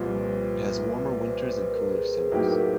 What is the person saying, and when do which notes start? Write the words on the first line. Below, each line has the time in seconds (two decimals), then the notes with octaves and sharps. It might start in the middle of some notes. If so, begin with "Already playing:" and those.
It has warmer winters and cooler summers.
Already playing: C2 A#2 F3 B4
0.19 B4
0.48 B4
1.09 B4
1.18 C5
1.25 B4
1.71 A#4
1.91 G#4
2.11 G#4
2.32 A2 F#3 A#3 D#4 G4